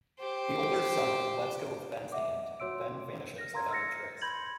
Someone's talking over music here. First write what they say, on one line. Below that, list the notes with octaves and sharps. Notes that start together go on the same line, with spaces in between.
The older son lets go of Ben's hand and Ben vanishes without a trace.
G4 C5
D#5 E5 F#5 D6
F#4 C#5 C6 E6 D7
F6 A#6
A#4 F5 A#5 C6 E6 G#6
E6 F6 A6 A#6 C#7
B5 C6 G6 G#6 F#7